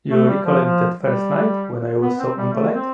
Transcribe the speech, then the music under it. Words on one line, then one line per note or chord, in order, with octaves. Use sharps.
You recollect that first night, when I was so unpolite?
A3
G3
F3
F3
G3
B3
C4
G3
A3
C4